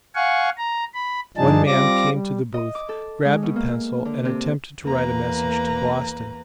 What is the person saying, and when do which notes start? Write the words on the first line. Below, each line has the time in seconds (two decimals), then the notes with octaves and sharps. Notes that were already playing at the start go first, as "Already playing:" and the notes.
One man came to the booth, grabbed a pencil, and attempted to write a message to Boston.
0.15 F5 F#5 G#5 C#6
0.57 A#5
0.94 B5
1.37 G2 F3 D4 D#4 G#4 A5
1.67 G3 C4 F4 D5 D6 A#6
2.10 G3
2.54 D#5
2.75 D6
2.89 A4
3.25 G#3
3.42 B2
3.56 A#3
4.05 D3
4.25 C3
4.84 E2 A#3 B4 A#5